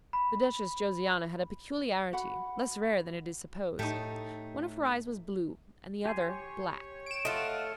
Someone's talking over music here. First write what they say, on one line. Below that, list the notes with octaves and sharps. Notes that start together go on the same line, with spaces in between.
The Duchess Josiana had a peculiarity, less rare than it is supposed. One of her eyes was blue and the other black.
B5
F#4 F#5 B5
A2 A3 D#4 G4 A5
F2 G4 G#5 C6
C#5
D7 E7
A3 F4 D#5 F5 F#5